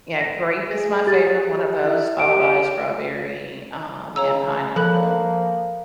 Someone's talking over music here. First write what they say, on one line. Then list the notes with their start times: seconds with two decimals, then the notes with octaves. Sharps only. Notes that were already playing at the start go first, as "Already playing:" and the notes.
Yeah, grape is my favorite one of those, followed by strawberry, um, and pineapple.
0.21 A#6
0.68 G#4
1.07 G4 A6
1.84 E4
2.19 G4 D7
4.16 C#3 C#5 A#5 E6
4.76 F3 A#3 A4 B5 F#6